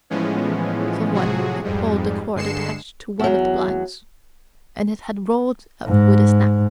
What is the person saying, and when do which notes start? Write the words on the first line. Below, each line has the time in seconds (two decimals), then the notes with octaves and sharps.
Someone had pulled the cord attached to one of the blinds, and it had rolled up with a snap.
0.10 A2 E3 F3 G#3 B3 C#4
1.13 A2 C3 F3 F#3 F#4 G#4
1.64 F2 G#2 G3 G#3
2.35 G2 D3 G#3 C7 C#7 E7
3.19 E2 F#3
5.87 G#2